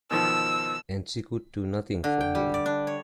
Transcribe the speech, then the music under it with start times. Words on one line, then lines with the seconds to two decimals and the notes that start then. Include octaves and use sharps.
And she could do nothing for him.
0.11 B2 D#3 F3 E6
2.04 D3
2.21 G5
2.35 G3
2.54 D5
2.66 D4
2.87 C#5